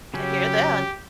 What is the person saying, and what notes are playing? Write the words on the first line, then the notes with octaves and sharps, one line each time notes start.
I hear that.
C#3 F#3 C#4 G4